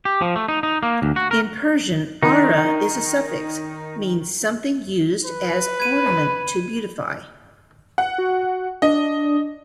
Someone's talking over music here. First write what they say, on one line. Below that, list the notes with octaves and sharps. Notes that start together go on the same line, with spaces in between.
In Persian "ara" is a suffix means something used as ornament to beautify.
G4
F3
A3
D#4
D#4
A#3
D2
F#4
A#4
D#3 D#4
B4
B5 G#6 D#7
F#5
F#4
D4 D#5